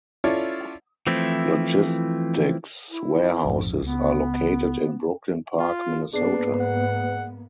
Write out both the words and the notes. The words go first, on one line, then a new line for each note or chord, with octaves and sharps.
Logistics warehouses are located in Brooklyn Park, Minnesota.
C#4 E4 F4 A4 C#5 D5
E3 F3 A3 C4 E4
E4
A#1 F2 G#2
C#2 B3
F4
G#2 A#3 B3 D4 G#4 B4 D5 C7
F#5